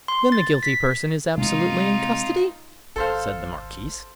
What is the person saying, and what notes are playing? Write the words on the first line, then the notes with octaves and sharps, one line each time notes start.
"Then the guilty person is absolutely in custody?" said the marquise.
C6
A6
B6
C3 G#3 D4 D#4 F4
G#1 A4 C5 F5